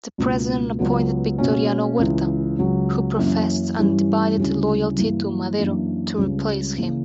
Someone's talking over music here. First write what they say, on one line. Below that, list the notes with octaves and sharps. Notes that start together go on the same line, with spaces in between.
The president appointed Victoriano Huerta, who professed undivided loyalty to Madero to replace him.
C#2 B2 A#3
C#2 C#3 F#3 B3
B2 A#3 C#4
C#2 C#3 E3
C#2 C#3 F#3
F#2 E3 A#3 C#4
G2 E3 G3 C#4 E4
D2 C#3 G3 C#4 E4
G2 E3 A#3 E4
F#2 E3 A#3 D4
C#2 C#3 G3
C#3 E3 A#3